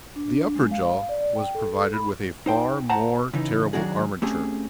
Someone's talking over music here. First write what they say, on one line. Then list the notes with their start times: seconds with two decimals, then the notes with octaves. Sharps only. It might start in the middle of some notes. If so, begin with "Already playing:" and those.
The upper jaw was provided with a far more terrible armature.
0.16 D4
0.55 G#3
0.71 F5
1.09 D5
1.35 G5
1.55 A4
1.94 B5
2.46 D#4 C5 G5
2.90 C5 F#5 A5 A#5
3.34 C#3 E3 D#4
3.73 D#3 F#3 D4 F#4 G#4
4.22 A3 C4 C#4 G4 G#4